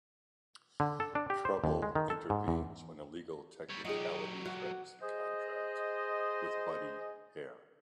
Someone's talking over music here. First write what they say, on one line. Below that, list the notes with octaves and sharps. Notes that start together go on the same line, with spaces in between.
Trouble intervenes when a legal technicality threatens the contract with Buddy Hare.
D3
A4
D4
G4
C5
D#2
G#3
D#3
A4
G#2
E2
G3 C#5
F#3 D#4 F4 G4 G#4
F#4 F5
G#4 C5 D#5